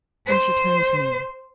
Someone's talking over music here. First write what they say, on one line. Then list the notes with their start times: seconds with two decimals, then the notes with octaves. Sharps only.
Then she turned to me.
0.27 C5